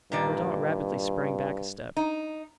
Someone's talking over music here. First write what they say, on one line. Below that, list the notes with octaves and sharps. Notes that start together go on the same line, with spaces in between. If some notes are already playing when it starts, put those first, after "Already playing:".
Mordaunt rapidly sprang back a step.
G2 A#2 D#3 D5
D#4